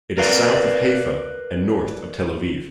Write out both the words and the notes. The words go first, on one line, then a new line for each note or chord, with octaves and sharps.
It is south of Haifa and north of Tel Aviv.
A#4 B4 D5 F5